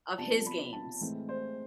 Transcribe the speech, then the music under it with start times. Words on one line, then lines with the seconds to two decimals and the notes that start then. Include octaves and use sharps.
of his games.
0.18 C3 F3 B3 D4 A5
0.46 B5
0.73 A5
1.01 A2 E3 G#3 C4
1.29 C5